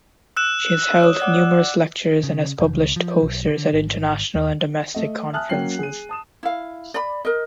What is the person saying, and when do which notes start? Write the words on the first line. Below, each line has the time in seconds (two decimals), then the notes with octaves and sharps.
She has held numerous lectures and has published posters at international and domestic conferences.
0.37 E6 F#6 E7
1.01 C#5 D#6
1.20 D5 F#5 D6
2.24 C#3
2.59 F1
2.73 C#2
2.96 F3
3.22 B1
3.48 D3
3.73 G#1
4.35 D#2
4.95 A3 D#5
5.33 E5 G#5 A5 D#6 F6 F#6
5.49 F#3 A#3 C#4 G5 C7 F#7
5.79 G#4 D#7
6.09 A5 D#6 E7
6.43 E4 F5
6.94 D5 B5
7.25 A#4 D#5